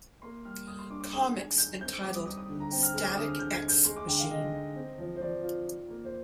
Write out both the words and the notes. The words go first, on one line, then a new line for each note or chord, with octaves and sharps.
Comics entitled Static-X Machine.
A#3 C6
G3 F6
G3 D#6
C6
D4 D6
D6
G#3 D#6
D#3 G#6
D#3 G6
C4 G6
G3 D6
D#6
D#4 D#6
D#6
D3
A#5
C4 G5
F6
G#3 F6
D6
D3 D#6
F6
D3 G6
G#6
D#4
G6
G#3 C6
D6
D3 G5
F5
D3 D#5
D#4
C4
F3
C5
F3 D5
F4
D#3
A#3
C5